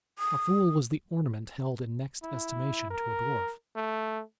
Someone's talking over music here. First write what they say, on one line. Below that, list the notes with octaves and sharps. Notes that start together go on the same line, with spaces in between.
A fool was the ornament held in next estimation to a dwarf.
D#6
E4
A#4
A3